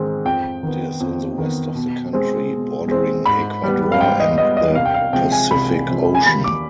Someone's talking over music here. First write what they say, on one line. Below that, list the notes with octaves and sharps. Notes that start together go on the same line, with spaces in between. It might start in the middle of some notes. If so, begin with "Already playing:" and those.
It is in the west of the country, bordering Ecuador and the Pacific Ocean.
Already playing: G#2 D#3 G#3 C4
F2 G5
D#3 B3
F2
D#3 B3
B2
G#3 C4
B2
G#3 C4
G#2 B5
G3 B3
F5
G#2 G5
D#5
G3 B3 D#5
D#5
C2 F5
G5
F5
C3 F3 G#3 G5
G#5
C2 B5
C3 F3 G#3
G#5
D#2 B5
D6